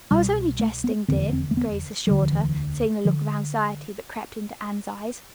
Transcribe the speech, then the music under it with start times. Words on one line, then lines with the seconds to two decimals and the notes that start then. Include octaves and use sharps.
"I was only jesting, dear," Grace assured her, seeing the look of anxiety that crept into Anne's eyes.
0.11 C2 B2 G3
0.60 A3
0.84 B3
1.08 F1 E2 D3 C4
1.33 C4
1.51 A3
1.57 B3
2.07 E1 D2 D3 G3
2.22 F3
2.32 E3
3.05 D3 F3